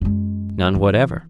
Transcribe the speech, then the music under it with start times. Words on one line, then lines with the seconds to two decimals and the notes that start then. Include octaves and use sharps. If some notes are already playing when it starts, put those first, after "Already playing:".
None whatever.
0.01 F#2 G#3
0.75 E3